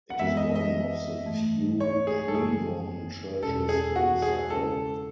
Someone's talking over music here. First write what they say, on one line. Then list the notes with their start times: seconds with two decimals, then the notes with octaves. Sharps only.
It is one of the few pre-Norman churches in Suffolk.
0.10 F#5
0.19 F#2 E3 G#3 B3 E5
0.37 D#5
0.55 D#5
1.26 G#2 E3 A3
1.80 C#5
2.07 G#4
2.28 A4
2.34 F#2 C#3 E3 G#4
3.42 E2 B2 G#3 C#4 A4
3.69 G#4
3.96 F#4
4.22 G#4
4.49 C#3 G#3 C#4 E4 A4